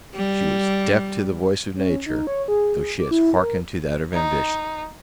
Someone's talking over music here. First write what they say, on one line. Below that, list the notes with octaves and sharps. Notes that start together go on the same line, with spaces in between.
She was deaf to the voice of Nature, though she has hearkened to that of Ambition.
G3
C#4
D#4
C#5
G#4
G#4
D6
E4
A#4
D#4